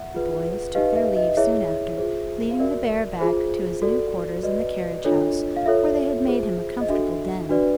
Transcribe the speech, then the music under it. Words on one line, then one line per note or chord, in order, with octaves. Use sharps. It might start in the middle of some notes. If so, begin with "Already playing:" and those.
The boys took their leave soon after, leading the bear back to his new quarters in the carriage house, where they had made him a comfortable den.
Already playing: E5 F#5
F4 G#4 B4
D#4 G4 B4 D#5 F5
E5
D#5
E4 G#4 C#5 E5
F4 G#4 C5
F5
F#4 A#4 D5 E5
F4 G#4 C5
F#4 A4 D5
F#4 B4 D5 D#5
D4 F4 A4 C#5
F5
F4 A4 C#5 E5
F4 G#4 C5
D#5
D4 F#4 A4 E5
D4 F#4 B4 D5